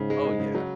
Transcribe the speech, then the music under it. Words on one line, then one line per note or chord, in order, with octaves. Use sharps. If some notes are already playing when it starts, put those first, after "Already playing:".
Oh, yeah.
Already playing: G#2 C#3
G#3
G#3
C#3
F#3